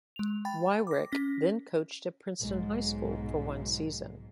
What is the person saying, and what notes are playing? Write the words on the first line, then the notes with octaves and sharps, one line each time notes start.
Wyrick then coached at Princeton High School for one season.
G#3 F7
G5 B5 A6
D6 A#6
C#4 A#6 B6
B1 G#2